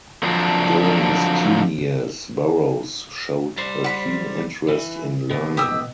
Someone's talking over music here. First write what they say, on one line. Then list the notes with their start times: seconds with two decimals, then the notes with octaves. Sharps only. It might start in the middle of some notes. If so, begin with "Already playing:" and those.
During his teen years Burroughs showed a keen interest in learning.
0.23 D3 F3 F#3 C4 D4 F4
3.58 G3 C5
3.84 F#5 B5
4.68 E3
5.31 B2
5.57 G4 D#6 E6